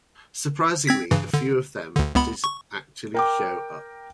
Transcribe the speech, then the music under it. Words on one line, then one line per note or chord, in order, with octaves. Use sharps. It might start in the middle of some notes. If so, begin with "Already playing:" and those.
Surprisingly, a few of them did actually show up.
C4 G#6 B6
G2 C#3 E3
D3
D2 D3
C#2 B3 B5
C#6
A#4 G5 D6